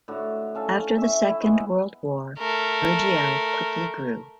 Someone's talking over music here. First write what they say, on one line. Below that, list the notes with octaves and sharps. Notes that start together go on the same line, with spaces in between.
After the Second World War, Virgiel quickly grew.
A2 D3 F#4
C#4 A4 F5
E5 C#6
E4
G#3 B3
A3 A#4